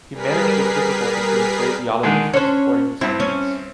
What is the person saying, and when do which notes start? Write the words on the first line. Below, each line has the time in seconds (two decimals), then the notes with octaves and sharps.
He managed with difficulty to dissuade the Ottomans from supporting the Swedes.
0.13 G3 G#4 A#4 B4 B6 C7
2.03 D3 D#3 G#3
2.34 C#4 D4 C5 C#5
3.01 G2 C4 E4
3.20 C#4